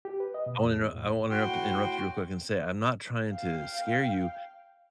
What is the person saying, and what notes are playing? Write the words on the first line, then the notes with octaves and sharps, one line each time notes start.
I wanna I wanna interrupt interrupt you real quick and say, I'm not trying to scare you,
G4
B4
D#5
B2
E2
E2
A2
A2 F#4 G5 C6
F5 G5